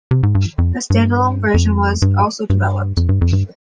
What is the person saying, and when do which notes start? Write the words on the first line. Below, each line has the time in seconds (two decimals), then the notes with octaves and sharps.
A stand-alone version was also developed.
0.11 C3
0.23 G#2
0.35 G2
0.58 F2
0.90 G2
1.54 F2
2.02 G2
2.50 G2
2.97 F2
3.09 G2
3.21 F2
3.33 G2